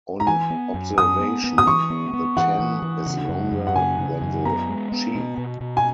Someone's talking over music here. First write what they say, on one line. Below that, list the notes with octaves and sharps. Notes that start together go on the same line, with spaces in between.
On observation, the Ten is longer than the Chi.
A#5
E3 G#5
B3
F#2
F#2 D#6
B3
B3
D#6
E3 C#6
B3
B3
E3 F#5
E3
E3
C#3
F#2
F#2
F#5
C#3 G#5
C#3
F#2
B3 A#5
G#3
B3
B2
B2
B2
G#5